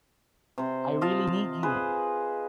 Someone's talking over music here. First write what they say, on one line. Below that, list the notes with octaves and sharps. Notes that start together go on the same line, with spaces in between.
I really need you.
C3 C5
F4 D#5 F5 A5
G#4 B4 C5